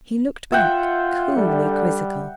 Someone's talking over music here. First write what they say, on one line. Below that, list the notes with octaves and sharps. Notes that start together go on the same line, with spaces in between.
He looked back, coolly quizzical.
F4 E5 F#5 G5
D3 G3